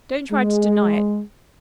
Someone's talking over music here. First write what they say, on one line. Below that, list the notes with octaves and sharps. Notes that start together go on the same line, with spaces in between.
Don't try to deny it.
G#3